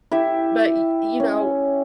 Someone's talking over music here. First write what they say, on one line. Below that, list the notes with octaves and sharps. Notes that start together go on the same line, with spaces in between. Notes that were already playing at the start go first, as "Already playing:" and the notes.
But y you know,
E4 G4 E5
C#4